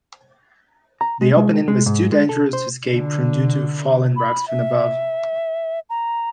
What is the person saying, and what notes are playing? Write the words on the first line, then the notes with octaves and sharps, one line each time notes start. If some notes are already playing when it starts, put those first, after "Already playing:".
The opening was too dangerous to escape from due to falling rocks from above.
A#5
G#3
G#3
G#3
G#2
G#3
A4
C5
D3
B5
E5
A#5